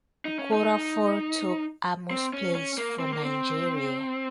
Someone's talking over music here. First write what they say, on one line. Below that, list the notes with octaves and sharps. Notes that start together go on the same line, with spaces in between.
Okorafor took Amu's place for Nigeria.
D#4
C#4
D#4
C4
C#4
C#4
A#3
C4
A#3
C4